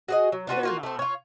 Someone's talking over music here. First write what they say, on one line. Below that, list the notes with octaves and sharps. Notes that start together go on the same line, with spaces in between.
They're not.
F#4 G#4 D#5
F#3
D4 F4 F#4 B4
A#3 F4 F#4
A3 C4
F4 C#5